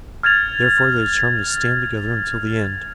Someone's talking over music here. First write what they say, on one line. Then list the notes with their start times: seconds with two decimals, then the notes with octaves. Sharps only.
Therefore, they determined to stand together until the end.
0.23 F6 G#6 A6 F7